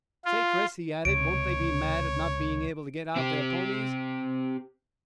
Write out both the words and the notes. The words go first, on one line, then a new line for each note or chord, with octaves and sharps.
"Say, Chris," he added, "won't they be mad at not being able to get out their ponies!"
F4
C#2 C3 C#5 D7
C4 G4